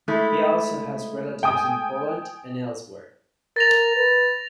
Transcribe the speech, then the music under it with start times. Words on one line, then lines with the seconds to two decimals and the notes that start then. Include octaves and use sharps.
He also has relatives in Poland and elsewhere.
0.08 G#3 A3 E4
1.43 G5 G#5 D#6
3.56 A#4 A6 A#6 F7
3.96 B4